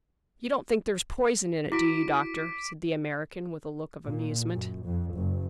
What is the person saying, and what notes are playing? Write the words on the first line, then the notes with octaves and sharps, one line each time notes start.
"You don't think there's poison in it, do you, doctor?" said the American, with a look of amusement.
E4 F#4 D6 B6 D7
A#2
F#2
F2
F#1